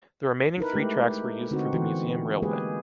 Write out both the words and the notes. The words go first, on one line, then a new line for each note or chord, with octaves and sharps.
The remaining three tracks were used for the museum railway.
D#4 E4 A#4 B4
G#3 A3 E4 G4
D3 C4 D#4 F#4
E3 B3 F#4
G#3 A#3 G4 G#4 B4